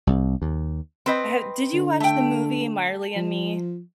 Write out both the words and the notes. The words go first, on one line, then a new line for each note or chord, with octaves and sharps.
have did you watch the movie Marley and Me?
C2
D#2
C4 B4 D#5
D3
A3 G5
F3